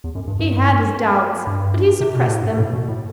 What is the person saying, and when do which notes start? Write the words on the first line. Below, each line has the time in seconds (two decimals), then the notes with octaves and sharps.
He had his doubts, but he suppressed them.
0.04 E2
0.15 F#2
0.27 G2
0.39 G2
1.47 G2
2.00 C3
2.14 B2
2.27 A2
2.42 G2
2.58 A2
2.73 B2
2.88 A2